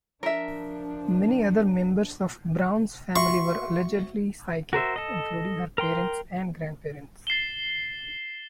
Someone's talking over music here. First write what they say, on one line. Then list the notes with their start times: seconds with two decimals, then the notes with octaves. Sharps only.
Many other members of Brown's family were allegedly psychic, including her parents and grandparents.
0.23 F3 D4 A#4 E5
3.16 F#4 E5 C6 C#6
4.73 F#4 A#4 C5 E5
4.96 A4 D#5
5.78 A#4 G5 C6
7.27 A6 C7 E7 G7